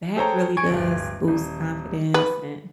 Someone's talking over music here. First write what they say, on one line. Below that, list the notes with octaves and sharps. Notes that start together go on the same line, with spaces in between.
that really does boost confidence and
G#4 A4 C5 C#5 G5 A#5
G#5 C#6 G#6 D7
D1 G1
D#1
B4